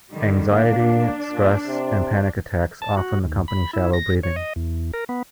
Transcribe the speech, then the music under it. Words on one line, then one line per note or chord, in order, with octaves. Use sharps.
Anxiety, stress, and panic attacks often accompany shallow breathing.
D3 D#3 G3
A#3 D4
A#2
C3
A5
F#4
D#2
B5
E4
A#6
C#5
D#5
E2
A#4
B3